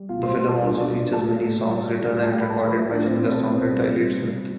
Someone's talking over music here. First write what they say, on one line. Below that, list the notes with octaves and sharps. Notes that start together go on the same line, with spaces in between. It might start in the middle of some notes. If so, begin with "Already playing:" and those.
The film also features many songs written and recorded by singer-songwriter Elliott Smith.
Already playing: G3
B2 F4 F5
C5 C6
B2 C5 C6
A4 A5
G3 D4 D5
D4 D5
G3
A2 A4 A5
A2
G3
G3
A2
A5
G4 G5
A3 B5
A4 A5
F3 B4 B5
E4 E5
A2 D4 D5
C4 C5
B2 C4 C5
A4
B2 B4
C4 C5
G3 B4
G3
C3